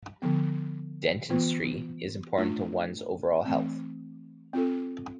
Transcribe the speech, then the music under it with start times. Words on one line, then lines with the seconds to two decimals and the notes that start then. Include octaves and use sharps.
Dentistry is important to one's overall health.
0.22 D3 F3 B3
1.30 E3 B3 F4
2.38 A3 D4 F4
3.45 E3 A3 C4
4.53 C4 F4 A4